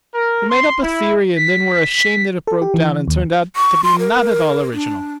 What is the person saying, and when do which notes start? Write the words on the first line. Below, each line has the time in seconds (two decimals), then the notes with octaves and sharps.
You made up a theory and then were ashamed that it broke down and turned out to be not at all original!
0.14 A#4
0.50 C6
0.83 E4
1.36 B6
2.47 A4
2.62 G4
2.74 E3
3.08 D#2
3.56 C#6
3.84 C6
3.99 A#4
4.73 D4